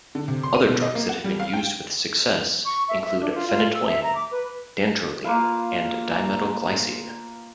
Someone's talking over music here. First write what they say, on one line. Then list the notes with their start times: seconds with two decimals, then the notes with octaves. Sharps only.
Other drugs that have been used with success include phenytoin, dantrolene, and dimetyl glycine.
0.15 D3
0.28 C3
0.43 C6
0.55 D#7
0.69 B2
0.82 D#5
0.95 A#3
1.09 F#5
1.24 G3
1.40 F5
1.53 G5
2.65 C#6
2.89 E5
3.04 E5
3.21 D4
3.35 F4
3.48 F4
3.74 E6
3.87 E5
4.03 A#5
4.15 D6
4.31 B4
5.24 A#3 F4 B4 F5